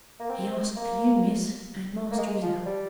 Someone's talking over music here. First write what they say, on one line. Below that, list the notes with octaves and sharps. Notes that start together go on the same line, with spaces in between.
'He asked for you, miss; and master is out.'
A#3
C4
A#3
A#3
G#3
F3
G3